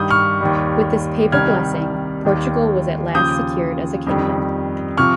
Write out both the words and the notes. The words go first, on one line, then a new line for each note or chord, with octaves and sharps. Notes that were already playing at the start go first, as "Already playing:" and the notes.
With this papal blessing, Portugal was at last secured as a kingdom.
Already playing: G2 D#3 G3 D#6 G6
C#6 F6
D#2 D#3 G3
C2 C3 D#3 G3 F6 G#6
D#2 D#3 G3
D#2 C#3 F3 D#6 G6
F2 D#3 G3
C3 F3 C#6 F6